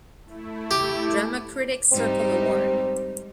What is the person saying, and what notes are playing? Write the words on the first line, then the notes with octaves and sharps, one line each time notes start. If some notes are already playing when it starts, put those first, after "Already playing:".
Drama Critics Circle Award.
A3 E4
G4
G#2 G3 C4 D#4